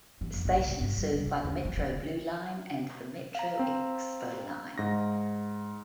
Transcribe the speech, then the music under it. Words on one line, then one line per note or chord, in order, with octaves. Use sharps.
The station is served by the Metro Blue Line and the Metro Expo Line.
E3
F2
A#1
B1
B2
G2
G3
C2
D3
D#2
F3
D3
F5 A#5
C4
G#2 A#6